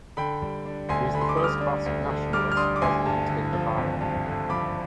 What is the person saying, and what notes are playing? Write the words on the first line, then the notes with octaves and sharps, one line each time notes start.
She is the first Basque nationalist president in Navarre.
D3 G5 B5
G3
D4
D2 G#5 C6
D3 B5
C6
D6
G3 D#6
D6 F6
D4
D2
D3
G3 D6 F6
F6
D4 C6 D#6
D6
D2 G#5 C6
G2
D3
F3
G#1
G2
D3
F3 B5 D6